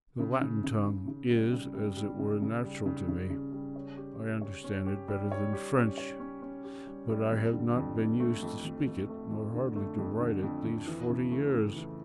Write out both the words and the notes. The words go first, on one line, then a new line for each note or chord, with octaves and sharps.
The Latin tongue is as it were natural to me; I understand it better than French; but I have not been used to speak it, nor hardly to write it, these forty years.
C#3
C#3
C#3
C#3
C#3
G3
C#3
G3
G3
C#3
C#3
G3
C#3
C#3
C#3
G3
C#5
G4
C#4
C#5
C#4
G4
G3
C#5
G4
C#4
C#5
C#4
C#4
G4
G3
G3
F2
D3
F2
F2
A3
F2
F2
F2
A3
F2
D3
A3
F2
D3
F2
F2
E3
C#3
A3
C#3
E3